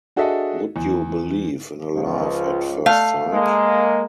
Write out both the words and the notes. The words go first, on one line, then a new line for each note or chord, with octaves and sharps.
Would you believe in a love at first sight?
D4 F#4 G#4 A4 D#5 E5
E2
C#2 F3
A3 F5
G#3 A#3